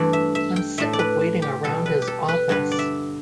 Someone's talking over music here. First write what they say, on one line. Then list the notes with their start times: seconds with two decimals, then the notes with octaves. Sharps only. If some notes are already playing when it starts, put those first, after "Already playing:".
I'm sick of waiting around his office.
Already playing: G2 E3 A3 D5
0.13 E5
0.35 E5
0.56 G5
0.78 A2 A3 E5
0.93 D5
0.99 B4
1.42 G4
1.64 B2 G3 A4
1.86 B4
2.02 G4
2.07 A4
2.28 B4
2.49 G2 D3 G3 B4
2.72 D5
2.79 E5